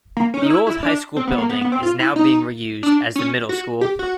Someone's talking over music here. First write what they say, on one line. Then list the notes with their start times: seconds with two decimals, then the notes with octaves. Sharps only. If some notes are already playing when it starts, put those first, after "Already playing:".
The old high school building is now being reused as the middle school.
0.17 A#3
0.34 C#4
0.42 D#4
0.50 E4
0.67 E4
0.83 D4
1.16 C4
1.27 B3
1.38 A#3
1.49 B3
1.61 B3
1.72 C4
1.83 F4
2.00 E4
2.16 D#4
2.83 D4
3.16 C#4
3.49 F#4
3.81 G4
3.99 F#4